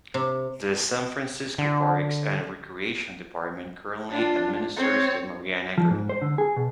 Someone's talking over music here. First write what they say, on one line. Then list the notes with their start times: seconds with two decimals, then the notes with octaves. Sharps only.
The San Francisco Parks and Recreation Department currently administers the Marina Green.
0.14 C3
1.58 D3
4.10 D4 F4
4.76 C4 C#5
5.78 F3
5.91 G#2
6.09 C5
6.21 D3
6.38 G#4
6.56 B2